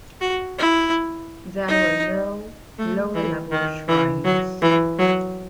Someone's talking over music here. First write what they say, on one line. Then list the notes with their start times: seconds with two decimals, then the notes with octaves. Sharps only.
There were no lower-level shrines.
0.21 F#4
0.58 E4
1.68 D#4
2.78 A3
3.14 E3
3.52 D#3
3.88 E3
4.25 F#3
4.62 E3
4.99 F#3